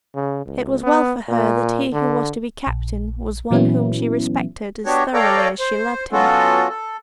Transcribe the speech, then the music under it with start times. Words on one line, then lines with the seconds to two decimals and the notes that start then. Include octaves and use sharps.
It was well for her that he who was to be captain was one whom she respected as thoroughly as she loved him.
0.15 C#3
0.46 C#2
0.83 B3
1.28 A#2
1.93 D3
2.67 A#1
3.51 A#2 E3 F#3 B3 C#4 E4
4.86 B3 D4 F#4 G4 C#5
5.14 A4 C#5 D5 F5 G5 A#5
5.59 C5
6.12 F#3 B3 C#4 F4 F#4 A4
6.69 A4